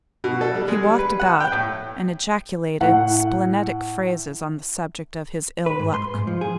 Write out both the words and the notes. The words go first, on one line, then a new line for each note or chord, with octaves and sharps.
He walked about and ejaculated splenetic phrases on the subject of his ill-luck.
B2
A4
G3
G#3
G3
B4
F#5
G5
A2
A2 F#5
B4
G#2
C6
G#2
F3
G#4